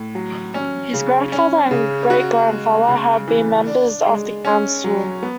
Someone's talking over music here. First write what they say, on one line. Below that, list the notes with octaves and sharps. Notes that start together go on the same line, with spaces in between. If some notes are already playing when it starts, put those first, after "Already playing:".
His grandfather and great-grandfather had also been members of the Council.
Already playing: A2
F#3
C#4
C#3
C#4
C#3
F#4
G#3
C#3
E3
D4
G#3
C#4
F#3
B3